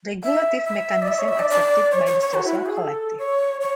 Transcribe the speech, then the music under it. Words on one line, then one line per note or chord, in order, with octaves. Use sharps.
Regulative mechanisms accepted by the social collective.
E5
E5
D5
E5
C#5
E5
D5
D5
C#5
C#5
C#5
F#4
E4
F#4
G#4
A4
C#5
C#5